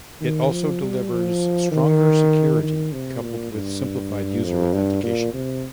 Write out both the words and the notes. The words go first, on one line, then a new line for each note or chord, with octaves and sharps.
It also delivers stronger security coupled with simplified user authentication.
D#3
F3
G3
F3
D#3
D#3
C3
A#2
G2
F2
G2
A#2
C3